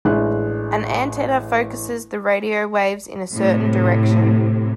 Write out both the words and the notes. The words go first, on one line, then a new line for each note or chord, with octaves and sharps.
An antenna focuses the radio waves in a certain direction.
A1 G#3 D4 E5 F#6
A2 C3